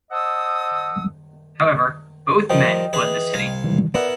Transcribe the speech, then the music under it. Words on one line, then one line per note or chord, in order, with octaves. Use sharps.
However, both men fled the city.
C5 D#5 F#5 A5 D#6 E6
F3 G3 A#4 D#5 G5
E3 G#4 B4
C2 F5 G#5
D#3 E3 G3
B3 E4 A#4 D5 F#5